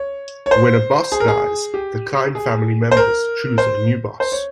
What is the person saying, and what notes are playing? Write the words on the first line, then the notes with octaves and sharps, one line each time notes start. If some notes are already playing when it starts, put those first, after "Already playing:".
When a boss dies the crime family members choose a new boss.
Already playing: C#5
C#5
C5
G#4
A#4
G#4
G4
G#4
C5
A#4
C5
C5
C#5